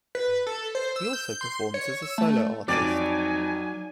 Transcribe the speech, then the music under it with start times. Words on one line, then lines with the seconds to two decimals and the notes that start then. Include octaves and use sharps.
He also performs as a solo artist.
0.15 B4
0.47 A4
0.75 C5
0.96 E6
1.13 G6
1.41 C6
1.74 C#5
2.02 E6
2.18 A3
2.68 F2 F#3 D#4 D5 G#5 D7